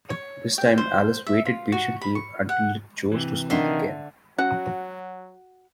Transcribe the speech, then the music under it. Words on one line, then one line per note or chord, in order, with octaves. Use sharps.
This time Alice waited patiently until it chose to speak again.
C#5
G5
C5
E5
F4
F#4
B5
C#6
F#5
C3 E3
D3 D#3 E5 C6
F#3 C#4 F#4 F#5